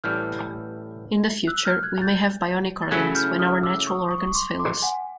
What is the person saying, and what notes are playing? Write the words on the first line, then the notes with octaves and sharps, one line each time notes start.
In the future, we may have bionic organs when our natural organs fail us.
A1 A2 E3 G3 F6 G6
E6 F#6
F6 G6
F#6 G#6
G6 A6
A6
C#3 F#3 A3 C#4 E4 F#6 G#6
F6 G6
D#6 F6
D6 E6
C#6 D#6
C#6 D#6
C#6
C6 D6
C6 D6
F#5 G#5